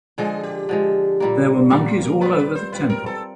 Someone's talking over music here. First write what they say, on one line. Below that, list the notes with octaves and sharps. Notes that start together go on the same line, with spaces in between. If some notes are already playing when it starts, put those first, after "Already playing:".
There were monkeys all over the temple.
D3 F3 G#3 G#4
G4
D3 F3 G#3
A#2 G3 A#3
A#2 G3 A#3 F#4
F4
A#4
G3 C4 F4 B4
B4
C5
G3 C4 F4 B4
A#4
A4